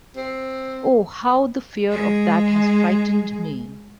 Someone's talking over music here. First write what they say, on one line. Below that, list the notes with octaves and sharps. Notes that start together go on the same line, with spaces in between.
Oh, how the fear of that has frightened me!
C4
G#3 G#4